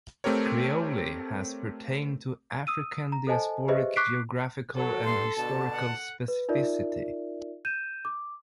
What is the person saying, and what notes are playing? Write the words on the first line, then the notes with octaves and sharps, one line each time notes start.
Creole has pertained to "African-diasporic geographical and historical specificity".
A3 C4 G4 A#4 C#5
D#6 E6 D#7
A#5
A4 C5 D#5 G#5 A5
G4 G#4 B4 C5 D#5 E5
C#6 D6 F#6 B6 C7 D7
F#3 A4
G2 C6
B2 D3 A5
F#5
B4
D#4 F4 A#4 D5 E5
G6 D#7 E7
D6